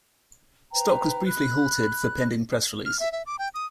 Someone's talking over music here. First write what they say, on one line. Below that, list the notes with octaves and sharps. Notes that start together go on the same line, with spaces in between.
Stock was briefly halted for pending press release.
B4 C5 G5 A#5
B5 F#6
F6
E5
E5
D6
G5
D#6